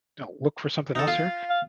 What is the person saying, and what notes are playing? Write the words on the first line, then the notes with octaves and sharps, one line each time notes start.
you know, look for something else here,
D#4 A4
F4
F5